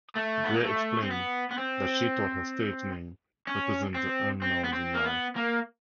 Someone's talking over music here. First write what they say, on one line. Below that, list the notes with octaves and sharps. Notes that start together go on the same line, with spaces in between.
Grey explained that she thought her stage name represents the unknowns in life.
A3
B3
A#3
A3
C4
B3
B3
C4
C#4
C4
C4
B3
C4
A#3
B3
A#3